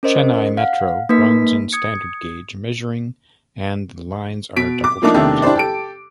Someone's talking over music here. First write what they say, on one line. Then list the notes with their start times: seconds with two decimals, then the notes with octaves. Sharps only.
Chennai Metro runs in standard gauge measuring and the lines are double-tracked.
0.03 C#4 A#4 C5 D#5
0.58 F5 F#5
1.09 A#3 D#4 B4 B6
1.72 D#6 G#6 C#7
4.56 B2 B6 D7
4.84 D6
5.02 F3 A3 A#3 D4 D#4 D6
5.14 E2 C3 D#3 A3 D4
5.42 D4 E4 G4 C5 D5
5.55 G4 A4 D7